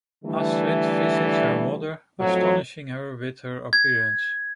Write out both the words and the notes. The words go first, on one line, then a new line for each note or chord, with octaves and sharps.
Astrid visits her mother, astonishing her with her appearance.
D3 E3 G3 A3
F2 A2 F#3
G#6